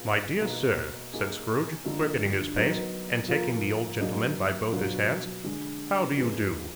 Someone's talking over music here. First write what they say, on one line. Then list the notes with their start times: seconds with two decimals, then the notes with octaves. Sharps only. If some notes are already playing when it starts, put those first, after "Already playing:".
'My dear sir,' said Scrooge, quickening his pace, and taking the old gentleman by both his hands, 'how do you do?
Already playing: B3 F4 G#4
0.40 B2 A#3 D#4 A#4 D#5
1.13 A#3 D#4 G#4
1.85 D3 F3 A#3 D#4 A#4
2.56 F#3 B3 D#4 A#4
3.28 F3 A#3 F4 A#4
4.00 F#3 A#3 D4 G#4 D#5
4.72 B2 F#3 D4 F4 A#4
5.44 D3 G#3 D4
6.17 F3 G#3 D#4 G#4 B4